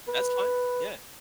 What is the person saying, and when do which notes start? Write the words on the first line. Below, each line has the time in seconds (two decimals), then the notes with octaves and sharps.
That's fine. Yeah.
0.08 B4